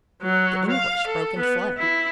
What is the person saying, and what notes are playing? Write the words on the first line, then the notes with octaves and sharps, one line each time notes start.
The English broke and fled.
F#3
F5
A4
B3
E4